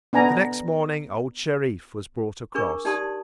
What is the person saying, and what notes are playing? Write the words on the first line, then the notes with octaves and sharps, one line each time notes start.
The next morning old Shereef was brought across.
B3 D4 G#5 A#5
D4 G#4 A#4 C#6
D#4 G4 D5 A5 C6 D#6